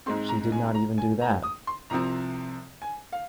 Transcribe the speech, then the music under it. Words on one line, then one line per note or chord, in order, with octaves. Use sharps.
She did not even do that!
G#2 G#3 C4 C6
A#5
G#5
A#5
G#5
A#5
D#6
C6
C2 C3 F3 C4 A#5
G#5
F5